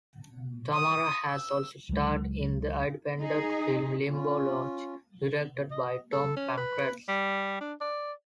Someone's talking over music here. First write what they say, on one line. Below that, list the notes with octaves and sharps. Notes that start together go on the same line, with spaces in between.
Tamara has also starred in the independent film "Limbo Lounge", directed by Tom Pankratz.
D#6
E6
C#2 F#3 G#3
D#4 G#4
C#4 F4
D#5
A4
C#4
B4
G3
D4
D5